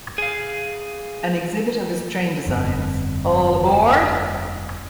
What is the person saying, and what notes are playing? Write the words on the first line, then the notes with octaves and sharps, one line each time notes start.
An exhibit of his train designs, All Aboard!
G#4 F5
F1 G2 D3 C4